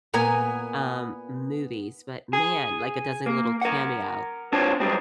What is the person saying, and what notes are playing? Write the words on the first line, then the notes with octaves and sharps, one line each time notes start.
um, movies, but man, like it does a little cameo,
A#2 B3 A#4 G#5
G#4
A#3
A#4 F#5
C4 D4 F4 C5 C#5 A5
F#2 G3 G#3 C4